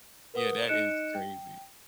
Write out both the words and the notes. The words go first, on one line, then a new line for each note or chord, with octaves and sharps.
Yeah, that is crazy.
A#4 B4 F#5 D#6
D#4 D#5 F#6 C#7 D7 E7
G5